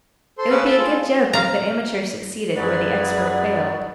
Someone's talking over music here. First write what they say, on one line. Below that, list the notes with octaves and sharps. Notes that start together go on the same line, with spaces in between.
It would be a good joke if the amateur succeeded where the expert failed.
A4 C5 C6
C#3 B4 F#5 E6
A4 A5 B5
F4 G#4
F5 A#5
F#2 G#4 B4 D5 F#5